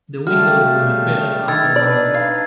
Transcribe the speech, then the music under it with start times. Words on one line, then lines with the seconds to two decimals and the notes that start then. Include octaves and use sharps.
The windows were repaired after the war.
0.27 C#3 G3 A3 F#4 F6
1.48 E2 D#3 E6 G#6 A6
1.76 D4 D#4 B4 D5
2.15 F5 G#6